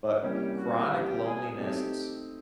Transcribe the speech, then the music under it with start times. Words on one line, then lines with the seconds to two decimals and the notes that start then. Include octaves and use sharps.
But chronic loneliness
0.23 C3 E3 G3 A#3 C#4 G4
0.57 F#4
0.91 G4
1.24 G#4
1.57 A3 C4 D#4 G4